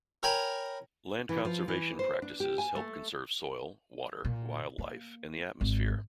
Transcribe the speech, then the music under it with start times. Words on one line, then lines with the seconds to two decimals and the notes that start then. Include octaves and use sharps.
Land conservation practices help conserve soil, water, wildlife, and the atmosphere.
0.23 A#4 C#5 G5 G#5 A#5 B5
1.29 E3
1.45 F3
1.68 E3
1.99 C5
2.22 D4
2.40 G4
2.58 G#5
2.76 A3
4.25 A#2
4.78 A#3
5.61 G#1